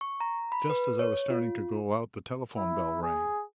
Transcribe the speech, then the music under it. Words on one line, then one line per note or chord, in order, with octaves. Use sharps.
Just as I was starting to go out the telephone bell rang.
C#6
A#5
B5
B4
C#5
F4
E4
G#4